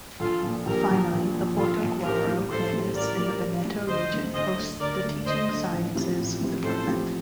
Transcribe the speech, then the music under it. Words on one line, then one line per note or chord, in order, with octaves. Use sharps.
Finally, the Portogruaro campus in the Veneto region hosts the Teaching Sciences Department.
A#1 F4 A4
A#2 F3
A#1 G4 A#4
A#2 F3
A#1
A#2
F3
A#1 F4 A4
A#2 F3
A1 G4 A#4
A2 G3
A1 A4 C5
A2 G3
A1 A#4 D5
A2 G3
A1
A2 G3
D2 C5 D#5
D3 A3
D2 C5 D#5
D3 A3
D2 A#4 D5
D3 A3
D2 C5 D#5
D3 A3
A1
A2 F3 C4 G4
A1
A2 F3 C4 G4
A1 A4 C5
A2 F3 C4 G4